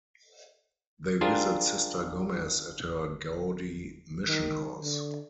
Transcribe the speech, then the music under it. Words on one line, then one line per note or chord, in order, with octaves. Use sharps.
They visit Sister Gomez at her gaudy mission house.
D4 F4 G4 G#4 A#4 C5
D#3
D3